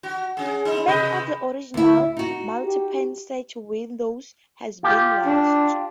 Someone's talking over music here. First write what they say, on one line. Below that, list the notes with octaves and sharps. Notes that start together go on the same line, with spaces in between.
Many of the original multi-pane sash windows have been lost.
F#4
C#4 G#4
D#4
C3 B4 D#5
D2 E4
D#4 F#4
G4
F4 G4
D4